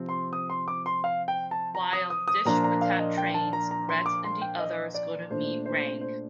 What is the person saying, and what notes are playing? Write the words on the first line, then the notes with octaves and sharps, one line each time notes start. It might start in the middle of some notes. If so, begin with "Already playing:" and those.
While Deshwitat trains, Rett and the others go to meet Rang.
Already playing: C3 F3 C4
C6
D#6
C6
D6
C6
F5
G5
A5
A#5
D#6
D#6
D#6
A#2 F3 A#3 D4 A#5
A#5
F5
D#5
G5
A5
A#5
A#5
C6
D6
C6
G5
D#5
D5
A#2 A3 D4 C5
C5
C5